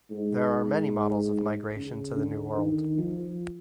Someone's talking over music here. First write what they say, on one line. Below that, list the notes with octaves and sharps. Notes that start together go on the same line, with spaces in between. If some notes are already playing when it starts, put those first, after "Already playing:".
There are many models of migration to the New World.
G#2
C#3
D3
D#3
F3